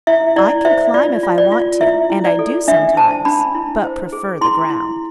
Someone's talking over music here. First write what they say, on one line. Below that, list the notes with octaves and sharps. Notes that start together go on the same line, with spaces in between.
"I can climb if I want to, and I do sometimes, but prefer the ground."
E4 E5
E4 D5
C5 E5
F4 D5
F4
D5
F4
E4 E5
E4
D5
A4
D4 E5
C5 A5
D4 B5
E4
C5
G#4
E4 C6
E4